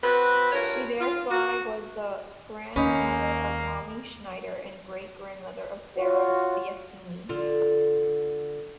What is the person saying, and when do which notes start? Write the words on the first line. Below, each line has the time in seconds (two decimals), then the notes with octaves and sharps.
She thereby was the grandmother of Romy Schneider and great grandmother of Sarah Biasini.
0.03 C4 F#4 B4
0.52 G2 F4 A#4 C#5
1.01 F4
1.31 F#4
2.76 D#2 A#3 C#4 D#4 B4
5.97 F4 F#4 C#5
7.29 D3 F4